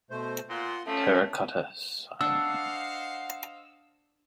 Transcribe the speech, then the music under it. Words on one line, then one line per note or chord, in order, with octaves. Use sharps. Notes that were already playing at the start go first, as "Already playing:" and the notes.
Terracotta sighing.
B2 A3 C5
A#2 F4 F#5 C6
F3 A3 C#4 E5
D4 C5 D#5 F5 F#5 E6